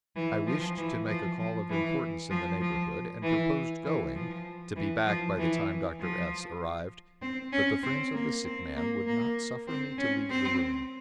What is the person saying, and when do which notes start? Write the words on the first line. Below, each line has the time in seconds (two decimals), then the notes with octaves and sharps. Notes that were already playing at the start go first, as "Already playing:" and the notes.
I wished to make a call of importance in the neighbourhood, and proposed going, to be back by the time Dr. S-- arrived; but the friends of the sick man would not suffer me to leave the room.
0.16 E3
0.47 F3
0.77 E3
1.07 F3
1.39 F3
1.70 E3
2.30 F3
2.61 F3
3.23 E3
3.84 E3
4.15 F3
4.76 E3
5.06 F3
5.38 E3
6.00 F3
7.22 C4
7.52 C#4
7.83 C4
8.14 A#3
8.45 C4
8.75 A#3
9.06 A#3
9.67 C4
9.98 C#4
10.30 C4